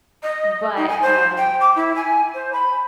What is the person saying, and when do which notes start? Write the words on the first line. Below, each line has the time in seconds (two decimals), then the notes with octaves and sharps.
but, um,
0.23 D#5
0.77 D#4
0.89 G#5
1.02 C5
1.37 G5
1.61 D6
1.76 E4
1.96 G#5
2.34 C5
2.53 B5